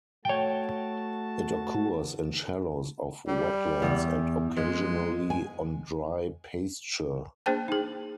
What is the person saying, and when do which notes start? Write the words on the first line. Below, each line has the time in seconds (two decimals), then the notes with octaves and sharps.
It occurs in shallows of wetlands and occasionally on dry pasture.
0.25 A3 F#4 C#5 G5 A5
3.28 G3
3.82 E2
4.56 F2 G#3
5.30 G#5
7.46 A#3 D4 G#4 C5 G5 A5
7.68 D#4 G#4